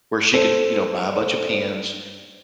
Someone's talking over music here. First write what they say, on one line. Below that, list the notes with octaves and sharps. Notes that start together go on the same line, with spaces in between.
where she could, you know, buy a bunch of pins.
A4 C5
D5
A4 C5
C5